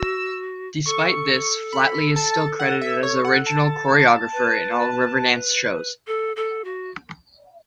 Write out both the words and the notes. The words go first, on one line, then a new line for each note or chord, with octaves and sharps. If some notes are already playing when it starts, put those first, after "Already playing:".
Despite this, Flatley is still credited as original choreographer in all Riverdance shows.
Already playing: F#4 E6
A4 C#6
B5
A5
F#5
E5
C#5
F#5
A5
B4
A4
A4
F#4